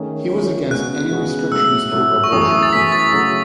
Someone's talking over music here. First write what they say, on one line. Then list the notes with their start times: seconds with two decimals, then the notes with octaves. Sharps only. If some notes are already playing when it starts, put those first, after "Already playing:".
He was against any restrictions to abortion.
Already playing: D#3 A3 C#4 G#4 C#5
0.30 D#3 A3 C#4 G#4 C#5
0.70 C#3 G#3 B3 F#4 F#6
1.11 C#3 G#3 B3 F#4
1.51 A2 F#3 A3 E6
1.91 A2 F#3 A3
2.24 C#6
2.32 F#2 E3 A3 E4 G#4 D#6
2.42 C#6
2.53 D#6
2.63 A6
2.72 F#2 E3 A3 E4 G#4 B6
2.92 A6
3.13 C#3 F#3 A3